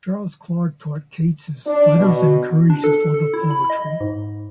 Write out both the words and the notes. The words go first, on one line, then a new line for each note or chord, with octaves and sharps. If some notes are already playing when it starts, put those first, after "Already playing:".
Charles Clarke taught Keats his letters and encouraged his love of poetry.
D4
B2
D4
A4
A4
E4
B5
D#5
G#2